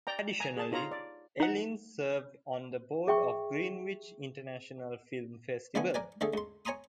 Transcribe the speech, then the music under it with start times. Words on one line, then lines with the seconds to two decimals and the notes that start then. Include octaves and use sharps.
Additionally, Ellin serves on the board of the Greenwich International Film Festival.
0.07 D5 G5 A#5
0.40 G#5 A#5
0.57 G#4 A5
0.72 D#4 F4 C#5 A#5
0.91 D5
1.40 D#4 F#5
3.07 G#4 E5 G5 C#6
5.75 D3 F3 A3 B3 G#5
5.94 A#4 D5 G#5
6.21 D3 A3 G#4 A4
6.34 C#2 C6
6.65 C#5 G#5 A#5 C6 D#6